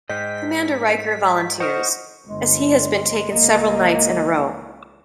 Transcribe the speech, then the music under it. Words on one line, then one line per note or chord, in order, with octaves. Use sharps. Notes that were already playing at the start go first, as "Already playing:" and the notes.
Commander Riker volunteers, as he has been taken several nights in a row.
G#2 D#5 G5 B6
C5 D#5 F#5 C#6 F6
G1 G#3
C#2 A#3 D#5